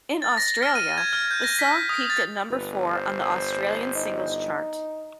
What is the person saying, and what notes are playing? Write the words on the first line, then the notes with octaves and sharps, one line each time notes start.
In Australia, the song peaked at number four on the Australian Singles Chart.
A6
A#6
F6
D#7
G#6
F6
G6
A#6
B6
D#6
A6
G1 B4
C5
D#4